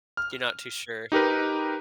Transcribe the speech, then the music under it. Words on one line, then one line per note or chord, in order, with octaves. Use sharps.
You're not too sure.
F6
D#4 G4 A#4 B4